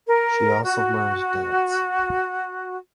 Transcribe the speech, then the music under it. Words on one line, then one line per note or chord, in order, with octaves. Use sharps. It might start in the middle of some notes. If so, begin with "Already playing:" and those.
She also learned dance.
A#4
F#4